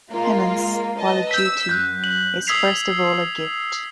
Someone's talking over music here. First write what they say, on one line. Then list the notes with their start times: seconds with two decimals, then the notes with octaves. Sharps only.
Penance, while a duty, is first of all a gift.
0.11 G#3 A#3 F4
1.00 B4 D#5 A5
1.31 E6 G6 B6
1.69 F#2 F#6 G6
2.04 F#7
2.47 D#6 E6 G#6 B6 C7 F7